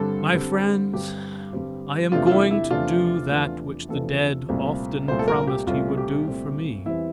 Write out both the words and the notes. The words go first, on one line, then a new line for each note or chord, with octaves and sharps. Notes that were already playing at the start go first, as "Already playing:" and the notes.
My Friends: I am going to do that which the dead often promised he would do for me.
Already playing: G2 D3 G3 C4 A4
G2 D3 G3 C4
G2 D3 G3 C4 G4
G2 D3 G3 C4
E2 C3 F3 A3 D4 F4
F4
E4
E4
E2 C3 F3 A3 D4 F4
E2 C3 F3 A3 D4
E2 C3 F3 A3 D4 A4
C2 A#2 A3 C4
C2 A#2 A3 C4 C5
A4
A#4
G4
C2 A#2 A3 C4 F4
G4
C2 A#2 A3 C4
E2 E3 G3 C4 E4